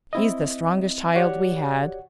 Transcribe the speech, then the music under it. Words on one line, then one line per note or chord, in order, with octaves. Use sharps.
He's the strongest child we had.
C4 E4 D#5
F#4 G4 C#5 D5 F#5